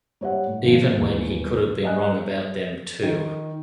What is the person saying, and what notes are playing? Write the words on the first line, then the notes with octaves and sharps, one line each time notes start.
Even when he could have been wrong about them too.
G3 C#5 E5 F#5
A2
G#1 F3
D#1 E2
D5 D#5 G#5 F#6
D#3